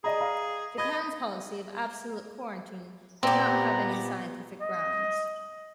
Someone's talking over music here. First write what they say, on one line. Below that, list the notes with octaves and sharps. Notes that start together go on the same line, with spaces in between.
Japan's policy of absolute quarantine... did not have any scientific grounds.
G#4 D5 D#5 A#5
F5 A#5
D#5 B5 G#6
A#2 B3 C4 G4 A#5
D#5